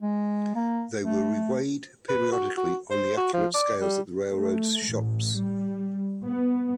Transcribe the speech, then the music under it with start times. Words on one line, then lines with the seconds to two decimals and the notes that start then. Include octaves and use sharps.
They were reweighed periodically on accurate scales at the railroad's shops.
0.01 G#3
0.55 A#3
1.04 A3
2.09 B4
2.32 F#4
2.57 F#4
2.91 C5
3.17 F#4
3.33 F3
3.54 D5
3.81 G3
4.29 A3
4.88 A1
5.36 G3
6.24 B3